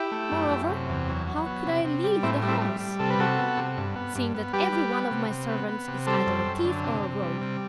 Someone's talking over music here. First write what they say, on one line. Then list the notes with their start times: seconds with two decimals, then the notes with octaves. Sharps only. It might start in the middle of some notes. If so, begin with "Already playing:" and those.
Moreover, how could I leave the house, seeing that every one of my servants is either a thief or a rogue?
Already playing: E4 G4
0.12 A3
0.31 F#2
0.50 F#2
0.69 C3
0.89 E2
1.08 F#3
1.27 F#3
1.46 B3
1.66 C3
1.84 C3
2.04 G3
2.23 A2 C4 E4
2.43 G3
2.48 C4 E4
2.61 G3
2.80 G3
2.99 C3 A4
3.10 B4
3.19 C3 F#4 A4
3.38 B3
3.57 C3
3.77 G2
3.96 B3
4.15 G2
4.34 B3
4.53 G3 G4 B4
4.73 G3
4.92 B3
5.11 C3
5.30 C3
5.49 B3
5.69 B3
5.88 C3
6.07 G3 A4 C5
6.26 F#2
6.45 F#2
6.65 D3
6.84 C3
7.03 C3
7.22 G3
7.41 C3